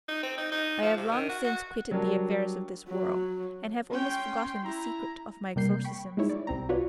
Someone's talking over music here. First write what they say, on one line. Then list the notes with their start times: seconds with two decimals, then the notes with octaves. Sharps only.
I have long since quitted the affairs of this world, and have almost forgotten the secret of my exorcisms.
0.08 D#4
0.23 C4
0.37 D#4
0.52 D#4
0.82 F3
0.97 C3
1.11 D#3
1.29 F#4
1.44 F#4
1.91 F#3 G3 D4 A#4
2.88 F#3
3.92 C#4 G5 C6
4.64 E4 A#5
5.56 C3 G3 A#3 G6 C7
5.84 G5 B5 C#6
6.17 G#3 D#4 E4 C#5
6.30 D5
6.47 C2 C4 A#5
6.69 D4 F4 F#4 B4 C#5 D5